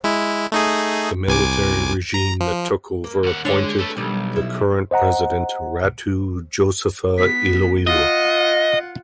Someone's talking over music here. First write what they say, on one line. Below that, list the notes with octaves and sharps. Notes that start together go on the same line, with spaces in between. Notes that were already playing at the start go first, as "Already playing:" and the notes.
The military regime that took over appointed the current President, Ratu Josefa Iloilo.
G#3 E4
A3 D#4 G#4
C2 G#5 D6
A#5
F3
A#3
D#2 F#5
D3 G#3 D4 A4 C#5 D5
A3 A4 B4
B1 D#3 G3
E4
C5 D#5 F#5 A#5
B3 B6
F4 D#5 F#5